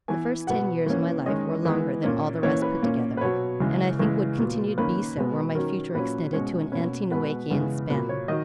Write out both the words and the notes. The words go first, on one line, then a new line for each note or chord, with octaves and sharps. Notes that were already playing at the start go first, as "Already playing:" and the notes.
The first ten years of my life were longer than all the rest put together, and I think would continue to be so were my future extended to an ante-Noachian span.
E3 B3 G#5
B2 F#3 B3 F#5
E3 A#3 C#4
D#3 G#3 C#4 D#5
E3 G#3 B3
A#2 A#3 C#4
E3 A#3 C#4 C#5
B4
A#2 A#3 C#4
B4
B2 F#3 B3 C#5
C#3 E3 G#3
C#3 E3 G#3
A#2 F#3 B3
D#3 A#3 C#4 B4
B2 G#3 B3
D#3 F#3 C#4 A#4
A#2 F#3 C#4 B4
B2 G#3 C#4 C#5
B2 A#3 C#4 B4
B2 G#3 B3 B4
C#3 E3 G#3 B3
A#2 F#3 A#3 B4
C#5
D#3 F#3 D#5